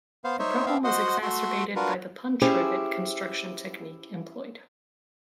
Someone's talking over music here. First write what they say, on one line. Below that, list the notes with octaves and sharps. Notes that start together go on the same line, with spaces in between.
The problem was exacerbated by the punch rivet construction technique employed.
B3 C5 F5
D#4 C5 C#5 E5
B3 C4 E5 F5
F#4 C5 D#5 F#5 C6
A3 F#4 E5 C6
D4 F4 F#4 A#4 B4
C#4 E4 G4 G#4 C5